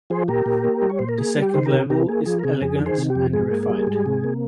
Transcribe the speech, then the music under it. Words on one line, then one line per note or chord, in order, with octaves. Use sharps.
The second level is elegant and refined.
F3 G#4 C5
A#2 G4 A#4
A#2
A#3
G3
C#5
A#2 C5
A#4
A#3 G#4
G3
G4
D#3 C5
G4 A#4
C3
C3 G4 A#4
A#3 G#4
F3 G#4
A#4
C3 G#4
F2 G#4
D#3
G#4 C5
C3
G4
F2
G#2 G#4
A#3
G3
G#2
C3
A#3